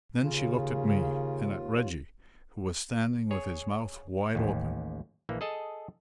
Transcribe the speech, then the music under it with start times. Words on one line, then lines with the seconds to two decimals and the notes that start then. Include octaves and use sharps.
Then she looked at me, and at Reggie, who was standing with his mouth wide open.
0.21 D#2 C#3 F4
3.31 G#4 C#5
4.35 A1 D#2
5.29 A#1 E3 A#3
5.41 G#4 A4 D#5 A5